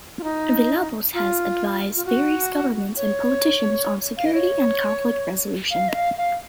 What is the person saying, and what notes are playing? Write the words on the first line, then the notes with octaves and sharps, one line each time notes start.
Villalobos has advised various governments and politicians on security and conflict resolution.
F4
D#4
F4
F4
F#4
C#5
F5
D#5
C#5
F5
D#5
F5
F5